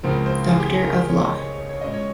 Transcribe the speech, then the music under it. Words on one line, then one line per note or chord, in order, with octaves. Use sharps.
Doctor of Law.
C#2 C#3 F3 C4 A#4
C5
G#4
G4
G#4
A#4
C5
C#5
D#5
C#5
C#5
C#5
A#2 G#3 C#4 D#5
C#5